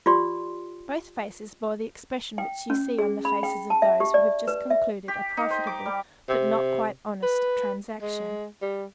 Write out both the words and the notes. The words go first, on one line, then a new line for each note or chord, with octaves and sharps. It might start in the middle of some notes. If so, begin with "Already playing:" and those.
Both faces bore the expression which you see on the faces of those who have just concluded a profitable but not quite honest transaction.
F4 G4 D5 C6
G5
C#4
G#4
B5
G5
A5
E5
G4
D5
B4
E5
G4
D#4
C5
D6
G3
C3
B4
G#3
G3